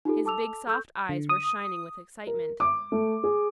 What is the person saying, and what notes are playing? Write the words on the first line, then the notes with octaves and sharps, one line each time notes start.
His big soft eyes were shining with excitement.
D#4 F4 G4 A4
A4 A5 D6 E6 F7
A4 C#6 E6 G6
D3
D#6
A#4
D6
A3
G#4